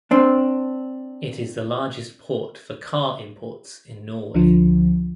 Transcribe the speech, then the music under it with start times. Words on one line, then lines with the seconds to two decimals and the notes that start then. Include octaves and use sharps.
It is the largest port for car imports in Norway.
0.11 C4 D4
4.34 C#2 D3 F3